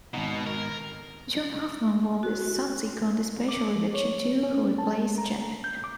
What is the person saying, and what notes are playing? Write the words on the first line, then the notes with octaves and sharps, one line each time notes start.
Joan Huffman won the subsequent special election to replace Janek.
G#1 B2 D#4
A#4
F#4
D6
F3
C#5
C#4
A5
G#3
A#5
G6
D6